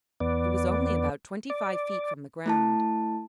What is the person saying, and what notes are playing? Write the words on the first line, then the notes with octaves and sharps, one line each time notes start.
He was only about twenty-five feet from the ground.
E2 B3 D5
D5
A3 E4 A5